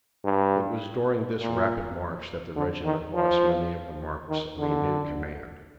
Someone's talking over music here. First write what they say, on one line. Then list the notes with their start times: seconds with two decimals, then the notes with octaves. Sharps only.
It was during this rapid march that the regiment lost many of the marks of a new command.
0.24 G2
1.41 A#2
2.56 D3
2.84 D#3
3.14 F3
4.29 D#3
4.58 D3